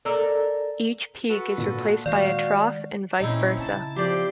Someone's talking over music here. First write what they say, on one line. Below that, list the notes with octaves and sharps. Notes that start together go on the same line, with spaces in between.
Each peak is replaced by a trough and vice versa.
A4 A#4 D5
F#4 A4 B4 C#7
A#2
D#3 G#3 F#4 D5 F5
A#2 E3 C4 C#4 D#4 E4
C#3 A5
F3 C4 G4 D5 G6 C7